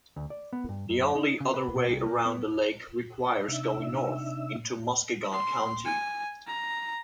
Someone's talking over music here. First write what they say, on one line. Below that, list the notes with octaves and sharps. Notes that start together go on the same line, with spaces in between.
The only other way around the lake requires going north into Muskegon County.
D2
D5
B3
G2
F#2
D#4
C#3
B4
B2
C2
A#3
B3
C3 D4 D#4 E5 E6
C6
G#5
A#5